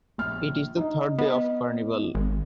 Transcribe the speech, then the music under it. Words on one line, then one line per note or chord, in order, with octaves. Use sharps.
It is the third day of Carnival.
A#1 F6
D#4 D#5
B3 D#5
G#1